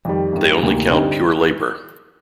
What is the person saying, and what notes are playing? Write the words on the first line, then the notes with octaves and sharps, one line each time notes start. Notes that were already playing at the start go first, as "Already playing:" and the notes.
They only count pure labour.
F2 D#3 G3
G2 D#3 G3
D2 C3 D#3 A#3
G2 D3 G3 C4 D#4